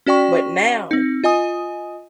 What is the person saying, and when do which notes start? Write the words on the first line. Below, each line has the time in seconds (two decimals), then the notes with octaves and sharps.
But now,
0.06 C#4 F#4 D5 G5 C#6
0.91 C4 D#4
1.24 F4 D#5 G#5 D#6